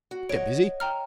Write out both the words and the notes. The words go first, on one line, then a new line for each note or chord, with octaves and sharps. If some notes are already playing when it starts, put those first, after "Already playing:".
"Get busy."
F#4
C#5 D#5 F#5 D7
G5 A#5 F6